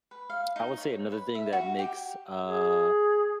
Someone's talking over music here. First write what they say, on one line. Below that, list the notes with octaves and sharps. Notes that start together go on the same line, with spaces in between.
I would say another thing that makes, uh,
B4
F5
D#4
C#5
B4
E5
F#4
G4
G#4